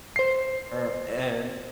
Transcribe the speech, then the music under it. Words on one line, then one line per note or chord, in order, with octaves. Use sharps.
a and
C5 C7